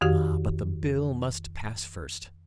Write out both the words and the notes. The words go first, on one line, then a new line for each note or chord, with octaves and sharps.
Ah! but the Bill must pass first....
F2 D#3 F#4 G4 D#6